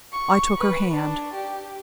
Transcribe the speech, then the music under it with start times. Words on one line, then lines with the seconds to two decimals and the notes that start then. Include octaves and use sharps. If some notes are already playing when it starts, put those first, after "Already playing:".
I took her hand.
0.12 C#6
0.58 B4
0.94 D4
1.34 G4